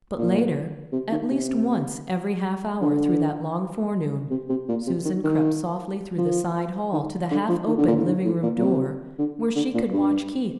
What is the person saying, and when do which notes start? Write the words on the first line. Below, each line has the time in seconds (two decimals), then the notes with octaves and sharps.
But later, at least once every half-hour through that long forenoon, Susan crept softly through the side hall to the half-open living-room door, where she could watch Keith.
0.18 A#2
0.92 C3
1.12 D#3
1.31 C3
2.81 D3
4.30 C3
4.49 C3
4.69 A#2
4.87 C3
5.05 D#3
5.24 D#3
6.18 F3
6.93 D#3
7.31 D3
7.49 F3
7.67 D#3
7.78 D3
7.87 A#2
7.96 A2
8.06 G2
8.25 A2
8.43 A#2
8.58 A#2
8.61 C3
9.18 D3
9.55 D3
9.74 A#2
9.93 G2